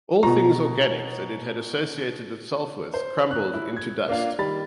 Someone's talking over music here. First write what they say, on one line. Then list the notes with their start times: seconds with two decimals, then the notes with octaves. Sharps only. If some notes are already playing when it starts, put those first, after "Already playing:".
All things organic that it had associated itself with crumpled into dust.
0.23 B2 F4 A#5
2.94 C5
3.31 F#6
3.53 E4
3.77 G#6
4.08 A#3 D4 F4 F5
4.39 D#3 G3 B5 A6